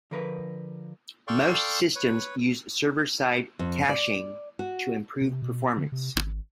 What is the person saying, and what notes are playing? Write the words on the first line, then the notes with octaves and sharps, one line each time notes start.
Most systems use server side caching to improve performance.
D3 F3 A#4 B4
A4 D5 F5 G5 C6 C#6
B4 C#5
F2
D5
F#4
C3
B2
D3
C3
G#1